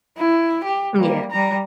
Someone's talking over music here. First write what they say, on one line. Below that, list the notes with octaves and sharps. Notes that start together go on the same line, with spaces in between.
Mm, yeah.
E4
G4
G3 A#3
G3 A#5